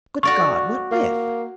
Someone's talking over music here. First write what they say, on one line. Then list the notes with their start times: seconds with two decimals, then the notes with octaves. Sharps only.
'Good God! what with?'
0.23 F#4 D5 F5 C#6
0.92 A#3